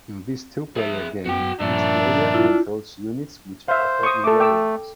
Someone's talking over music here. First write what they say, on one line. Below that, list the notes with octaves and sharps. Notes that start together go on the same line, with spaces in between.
In this two-player game, each player controls units which battle in the arenas.
G#4 E5
F#2 B3 F#4 G5
G2 A#2 F3 D4 A#4 E5
E4 F4
C5 E5 F5
C#6 D#6
A3 A4 D6
G5 D6 E6